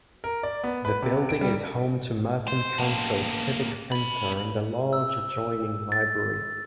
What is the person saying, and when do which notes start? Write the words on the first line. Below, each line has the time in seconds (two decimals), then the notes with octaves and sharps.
The building is home to Merton Council's Civic Centre and a large adjoining library.
0.24 A#4
0.43 D5
0.64 B3
0.85 B4
1.02 C3
1.29 D7
1.41 G3
2.48 C5
2.78 A2 A#3
3.92 C#4 B5
4.93 E6
5.92 A6